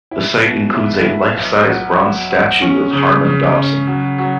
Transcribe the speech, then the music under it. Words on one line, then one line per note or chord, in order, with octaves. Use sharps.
The site includes a life-size bronze statue of Harmon Dobson.
E4
B2
E4
E4
B1
F#3
F#3
F#3
C#4
C#3
C#3
C#4
F#3
F#3